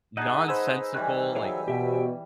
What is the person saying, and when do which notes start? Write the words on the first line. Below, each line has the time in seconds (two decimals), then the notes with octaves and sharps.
nonsensical, like
0.17 D#4 G#4 D#5 F#5 A5
0.48 B4 C5 G#5 B5 E6
0.94 D#3 E3 G3 F#6
1.36 E3 F#3 G#4 C#5
1.68 B2 G4 E5 G5